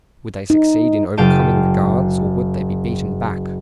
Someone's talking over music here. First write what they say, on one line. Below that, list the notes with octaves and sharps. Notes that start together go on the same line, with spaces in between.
Would they succeed in overcoming the guards, or would they be beaten back?
D#4
F#1 F5 G5 A5 D#7